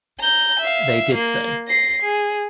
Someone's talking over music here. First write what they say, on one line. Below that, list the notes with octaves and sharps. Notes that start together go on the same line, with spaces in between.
They did so.
A#5 G6
E5 F5
A#3
A#6 C7
G#4